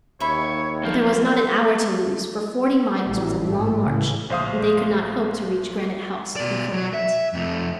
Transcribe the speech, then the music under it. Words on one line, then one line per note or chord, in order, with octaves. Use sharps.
But there was not an hour to lose, for forty miles was a long march, and they could not hope to reach Granite House before night.
D#2 C#5 E5 B5
B1 F3 F5
A1 E3 F#3 G3
G#2 G#3 A3
C#2 A2 C#3 E3 G#3
A#1 C5 F5 D#6
B2 D5
F#3
E5
F2 A3